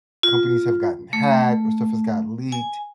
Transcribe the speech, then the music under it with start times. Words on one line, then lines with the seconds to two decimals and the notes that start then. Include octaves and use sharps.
companies have gotten hacked or stuff has gotten leaked,
0.23 F4
1.13 A3
2.52 G#5